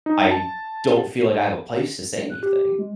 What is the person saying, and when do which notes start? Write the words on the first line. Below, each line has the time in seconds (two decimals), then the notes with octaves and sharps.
I don't feel like I have a place to say anything
0.06 D#4
0.31 A5
2.30 F#6
2.43 G4
2.79 G#3